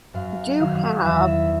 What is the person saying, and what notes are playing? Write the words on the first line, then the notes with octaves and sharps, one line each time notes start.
do have
F#2 F5
D#3 F#3 F5
E2 E5
E5